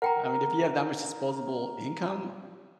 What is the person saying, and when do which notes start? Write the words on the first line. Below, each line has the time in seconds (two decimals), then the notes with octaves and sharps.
I mean, if you have that much disposable income, uh
0.02 A#4 F#5 G5 A#5